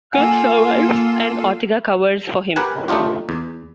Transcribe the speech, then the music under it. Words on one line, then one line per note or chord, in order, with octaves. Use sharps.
Gus survives and Ortega covers for him.
A#3 F4 A4 F#5 G#5
G4 A#4 B4 F#5 G#5
A3 D4 D#4 F4 G4
E2